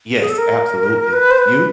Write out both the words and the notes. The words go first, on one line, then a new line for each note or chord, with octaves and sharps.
Yes, absolutely. You?
G#4
A4
A#4
B4
C5
B4